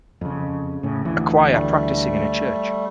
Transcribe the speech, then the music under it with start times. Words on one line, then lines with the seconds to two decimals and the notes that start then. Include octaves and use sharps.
A choir practicing in a church.
0.21 F2 C#3
0.83 A2 C#3
1.05 D2 E3
1.48 G3 A3